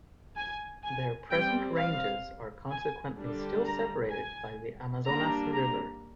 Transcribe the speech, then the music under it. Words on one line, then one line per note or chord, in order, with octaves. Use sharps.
Their present ranges are consequently still separated by the Amazonas river.
G#5
G#5
G3 C4 G5
F5
G#5
D3 G3 D4
A#5
G#5
G3 A#3 D4 A#5
A#5